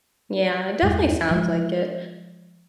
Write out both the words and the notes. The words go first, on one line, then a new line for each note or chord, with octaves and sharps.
Yeah, it definitely sounds like it,
E2 G2 G#3
F3 G#3